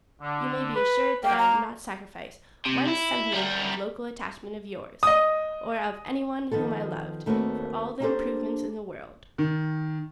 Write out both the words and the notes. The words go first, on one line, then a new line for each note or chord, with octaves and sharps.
But you may be assured that I would not sacrifice one sentiment of local attachment of yours, or of any one whom I loved, for all the improvements in the world.
D3
B4
A#3 G5
A#5
C3
E4
G3 A#4
D#5 D#6
D#3 F3 B3 A4
D#2 A3 A#3 C4 F#4 B4
A#3 B3 D4 G4 A4 C5
D#3